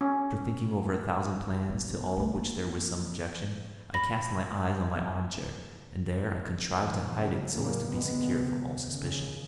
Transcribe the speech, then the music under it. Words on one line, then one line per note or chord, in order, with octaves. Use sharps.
After thinking over a thousand plans, to all of which there was some objection, I cast my eyes on my arm-chair, and there I contrived to hide it so as to be secure from all suspicion.
C#4
D1 D#2
B2
D3 A3
A#3
B5 A#6
D#2 A#2 D#3 F3
F#2 C#3 G3 A#3
A2 C#3 F#3 G3 A#3
B2 D3 G3 G#3 B3
C3
D#2 C#3